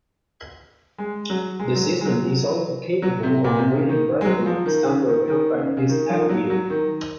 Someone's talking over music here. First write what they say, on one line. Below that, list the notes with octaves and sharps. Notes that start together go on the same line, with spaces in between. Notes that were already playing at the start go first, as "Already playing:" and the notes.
The system is also capable of reading Redbook standard compact disc audio.
G#3
F#3
G#3
F#3
G#3
F#3
F#3
C3
A#2
C3
C#3
D#3
G#3
F#3
F3
D#3
C#3
D#3
D#3
C#3
C#3
D#3
F3
F#3
F#3
D#3